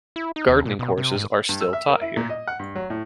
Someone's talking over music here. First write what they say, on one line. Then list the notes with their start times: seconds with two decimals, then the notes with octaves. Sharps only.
Gardening courses are still taught here.
0.16 E4
0.36 D#4
0.48 D#2
0.65 A#2
0.79 B2
0.97 C3
1.16 G#2
1.49 G2
1.61 E6
1.73 E5
1.89 A#4
2.01 E4
2.17 A#2
2.29 D#5
2.47 F#5
2.59 G2
2.75 F#3
2.90 A2